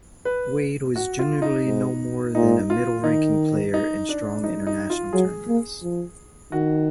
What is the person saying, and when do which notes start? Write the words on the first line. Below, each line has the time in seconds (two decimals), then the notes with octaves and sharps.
Wade was generally no more than a middle-ranking player in strong international tournaments.
0.25 B4
0.96 F#4
1.19 F4
1.42 D#4
1.65 G#2
2.35 A#2 D#4
2.70 F4
3.04 D#3 D#4
3.74 D#4
4.09 D4
4.44 D#4
4.67 D#4
4.90 F4
5.13 F#3 G#4
5.48 A#3
5.83 F3
6.52 D#3 F#4